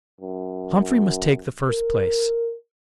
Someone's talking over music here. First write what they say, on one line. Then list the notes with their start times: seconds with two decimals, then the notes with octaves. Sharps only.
Humphrey must take the first place.
0.21 F#2
1.69 A#4